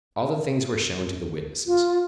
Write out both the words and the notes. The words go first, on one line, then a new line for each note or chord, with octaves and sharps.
All the things were shown to the witnesses.
F4